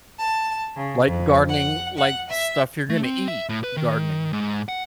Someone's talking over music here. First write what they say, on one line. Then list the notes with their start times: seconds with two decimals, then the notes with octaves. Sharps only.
Like gardening like stuff you're gonna eat gardening.
0.18 A5
0.76 C#3
1.07 F2
1.50 F#5
1.97 F#5
2.30 E5
2.90 A3
3.04 C4
3.28 E5
3.49 A2
3.64 B4
3.77 D#3
4.33 G#2
4.69 F#5